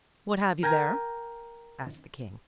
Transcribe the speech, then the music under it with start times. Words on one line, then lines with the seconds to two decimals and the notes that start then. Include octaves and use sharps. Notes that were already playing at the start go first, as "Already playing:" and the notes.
"What have you there?" asked the king.
0.63 A#4 G5 G#5 A#5